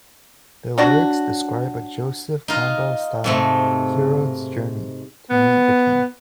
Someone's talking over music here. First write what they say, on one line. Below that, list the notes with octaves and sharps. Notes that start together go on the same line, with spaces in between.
The lyrics describe a Joseph Campbell-style "hero's journey" to meet a king.
F#3 D4 F#4
D#4 F4
G#2 C3 A3
B3